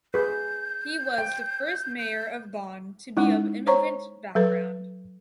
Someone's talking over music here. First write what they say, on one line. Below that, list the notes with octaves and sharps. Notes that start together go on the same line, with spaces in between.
He was the first mayor of Bonn to be of immigrant background.
G#4 B4 G6
G5
G6
G#3 C#4 D#4 E4
C5 C#5 A#5 C#6
F#3 A4 B4